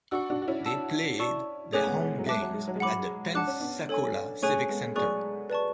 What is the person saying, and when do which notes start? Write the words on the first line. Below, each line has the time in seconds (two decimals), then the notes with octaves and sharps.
They played their home games at the Pensacola Civic Center.
0.11 D4 F#4 F#5 C#6 E6
0.30 D4 F#4
0.42 F#4
0.48 C#4 E4
0.66 F#5 A5 E6
1.19 D5 A5 C#6 E6
1.73 A3 C#4 G#4 C#5 G#5 D6 F#6
1.87 G#3 B3
2.00 G#3 B3
2.18 F#3
2.27 G#3 E5 A5 D6 F#6
2.41 F#3
2.54 G#3
2.68 F#3
2.76 G#3
2.80 F#3 F#5 B5 D6
3.35 D4 F#5 A5 D6 F#6
3.47 C#4
3.60 B3 D4
3.89 A4 C#5 G#5
4.42 A3 C#4 G#4 C#5 G#5 C#6 F#6
4.64 C#4
4.69 G#3 B3
4.96 F#3 A3 G#4 D5 G#5 C#6 F#6
5.50 B4 D5 A5 C#6